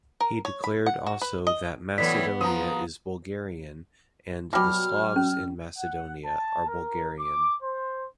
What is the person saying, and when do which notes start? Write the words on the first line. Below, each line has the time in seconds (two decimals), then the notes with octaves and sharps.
He declared also that Macedonia is Bulgarian and the Slavs in Macedonia are Bulgarian.
0.20 A#4
0.45 C#5
0.64 B5
0.86 F#5
1.06 F#4
1.21 B4
1.47 D#5
1.98 A2 E3 F#3 B3 D5 B6
2.41 F3 A#5 D#6
4.53 B2 F#3 G3 G5 F6
5.16 C#4
5.77 F#5
6.25 A5
6.68 A#4
7.19 D6
7.63 C5